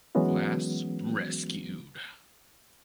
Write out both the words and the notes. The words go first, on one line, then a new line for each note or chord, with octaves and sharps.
Glass rescued.
E3 F#3 G#3 B3 C#4 F#4